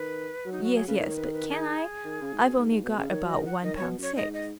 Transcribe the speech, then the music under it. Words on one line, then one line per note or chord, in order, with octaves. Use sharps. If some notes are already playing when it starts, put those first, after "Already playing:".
"Yes, yes; but can I? I've only got about one pound six."
Already playing: D#3 B4
F#3
D#4
F#4
G#4
C#3 B4
D#3 C#5
C#5
B4
B4
G#4
D#3
C#3
G#2
B2
G#2
G#2
B2
C#3
D#3 C#5
F#3
D#5
D#3
F#5
D#3 D#5
C#5
B2
F#2 C#5
G#2 D#5
D#5